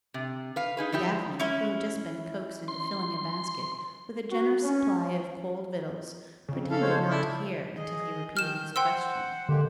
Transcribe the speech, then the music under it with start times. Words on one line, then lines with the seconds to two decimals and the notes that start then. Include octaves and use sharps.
Daphne, who had just been coaxed into filling a basket with a generous supply of cold victuals, pretended not to hear until he repeated his question.
0.14 C3
0.56 B4 F5
0.77 D#4 G#4 B4
0.92 F3 G3 E4 G4
1.40 C#4 E4
2.68 C6
4.31 F#4
4.63 C#4
6.48 F2 C#3
6.68 A4 F5
6.82 G#3 C5 C#5
7.10 D4 E4 A4
7.76 G#4 D#5
8.37 D#3 F6 G6 E7
8.76 C5 F#5 G5 C6 E6
9.49 D3 G#3 A#3 G4